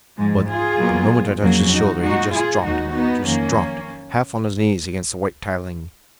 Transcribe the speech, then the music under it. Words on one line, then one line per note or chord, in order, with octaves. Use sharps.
But, the moment I touched his shoulder, he just dropped--just dropped, half on his knees against the white tiling.
G#2 F3 G#3
F4 G#4
B2 F#3 A#3
F2 C#3 F#3 A#3
D#4 F#4
A#2 G#3 D#4 F#4
F4 G#4
D#2 D#3 G#3 D#4 F#4
B3 D#4
F2 D#3 F#3 A#3 C#4